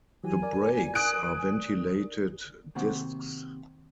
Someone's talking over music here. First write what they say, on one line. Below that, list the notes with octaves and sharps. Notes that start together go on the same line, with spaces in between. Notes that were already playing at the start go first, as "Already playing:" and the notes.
The brakes are ventilated discs.
E3 F#3 G4 G#5
A#4 D5
D#6 F#6 D7
C3 D#3 A#3 C4 F#4 F#5